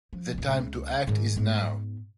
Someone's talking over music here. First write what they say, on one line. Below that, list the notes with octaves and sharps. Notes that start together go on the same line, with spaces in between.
The time to act is now.
F3
C2 A#2
C#2
G#2 D#3
G#2 B3